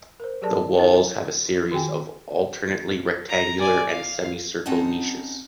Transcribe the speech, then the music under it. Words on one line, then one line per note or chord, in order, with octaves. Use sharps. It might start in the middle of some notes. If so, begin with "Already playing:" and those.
The walls have a series of alternately rectangular and semi-circular niches.
A#4 C5
F#3 G4 G#4 A#4 D5 A5
E4 A#4 C#5 F5
D#3 F#4 G#4 G5 G#5
A#5
D5 G#5
F5
C4 C#4 D#4 F#5 A5